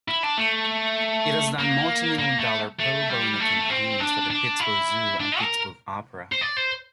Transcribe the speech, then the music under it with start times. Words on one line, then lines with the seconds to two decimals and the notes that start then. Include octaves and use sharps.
It has done multimillion-dollar pro-bono campaigns for the Pittsburgh Zoo and Pittsburgh Opera.
0.08 E4
0.23 D4
0.38 A3
1.59 A#3
2.19 A#3
2.39 A3
2.79 A3
3.09 G3
3.40 A3
3.70 C4
4.00 D4
4.30 D4
4.60 E4
5.20 D4
5.41 A#4
6.32 C5
6.41 D5
6.57 C5